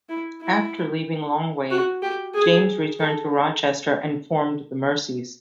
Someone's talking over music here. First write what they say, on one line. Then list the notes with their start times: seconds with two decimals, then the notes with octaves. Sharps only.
After leaving Longwave, James returned to Rochester and formed the Mercies.
0.09 E4
0.42 E4
1.71 F#4
2.02 G4
2.35 G#4
2.99 A4